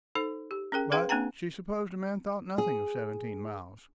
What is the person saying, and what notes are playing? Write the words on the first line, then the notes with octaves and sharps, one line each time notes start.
But she supposed a man thought nothing of seventeen miles.
D#4 A4 C5
G4
C#4 G#4 A#4 G5
G#4 B4 F5 G5 C6
A#3 C4 D4 G5 A#5
G#4